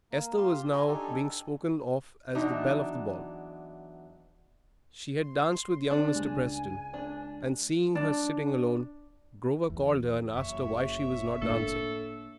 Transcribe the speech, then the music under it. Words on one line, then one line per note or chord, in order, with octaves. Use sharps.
Esther was now being spoken of as the belle of the ball, she had danced with young Mr. Preston, and seeing her sitting alone Grover called her and asked her why she was not dancing.
A#3
F4 G4 C6
C#5 G#5 A#5 C6
D4 D#4 G4 A4 G#5
E2 F#3 D4 D#4
C6
D4
C#2 G#5
D4
D4
E2
F#1 C#5 E5
A2 A#3 D4 A4